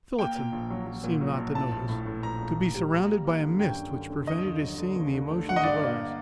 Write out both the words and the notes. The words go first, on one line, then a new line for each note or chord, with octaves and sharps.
Phillotson seemed not to notice, to be surrounded by a mist which prevented his seeing the emotions of others.
A#3 G5
A#2
A#1
F#3
F#3
A#2
F#3
A#1
A2 A5
A#1
A2
A2
A#1 A#5
A#1
A2
G3
A#3
G3
A#3
D3
F#2 G5
D3
D3
D3
D#2 D#5
D3
F#3
D3
D#2
D3
A3
D3 F#5
D#5
G2 D5
A#3